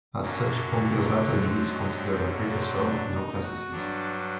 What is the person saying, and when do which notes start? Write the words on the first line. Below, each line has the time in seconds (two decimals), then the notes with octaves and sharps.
As such Pompeo Batoni is considered a precursor of Neoclassicism.
0.21 F#2 D3 F#3 A#3
0.66 A#3
1.10 A#3
1.39 C4
1.68 D#4
1.97 C4
2.26 A#3
2.55 C4
2.84 D4
3.14 D#4
3.42 F#4
3.71 G2 F#3 D4